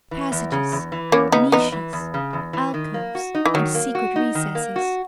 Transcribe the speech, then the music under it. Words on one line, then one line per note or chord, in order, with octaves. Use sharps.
Passages, niches, alcoves, and secret recesses.
E3
E2
C#3
E2
E3
E2 A#3 C#4
C#3 B3 D#4
E2 B3 D#4
E3
E2
C#3
E2
E3
D#3
A#3
F#4
D#4
E3
D#3 F#3
A#3
F#4
D#4
D#3
A#3
F#4